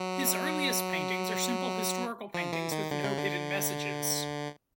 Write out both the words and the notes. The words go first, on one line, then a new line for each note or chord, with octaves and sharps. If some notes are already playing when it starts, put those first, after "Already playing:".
His earliest paintings are simple historical paintings with no hidden messages.
Already playing: F#3
F3
E3
D#3
D3
C#3
D3